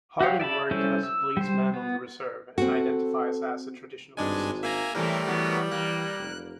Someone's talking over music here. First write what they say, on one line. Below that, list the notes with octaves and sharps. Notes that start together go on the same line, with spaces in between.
Harding worked as a policeman on the reserve and identifies as a traditionalist.
F#4 G4 C#5 F5
D5 E5 A5 B5
G3 C#4 E4 A4 C5
E6
G3 C5
B3
C4 F#4 A4
G#1 G2 G#3 D4 G#5
A#3 E5 G#5 A#5
A2 C3 E3 G3 A3 A#4
E3 F#3 B3
E3 A#3 F#6
F1